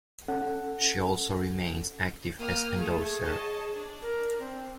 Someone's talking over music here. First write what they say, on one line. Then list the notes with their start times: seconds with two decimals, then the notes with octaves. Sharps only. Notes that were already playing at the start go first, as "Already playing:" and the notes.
She also remains active as endorser.
0.28 C#4 A4 F#5
2.39 A#3 G5 D#6 F6
2.77 A3 G#4 A4
3.22 C#5 D#5 A5
3.72 D4
4.02 A#4
4.39 C4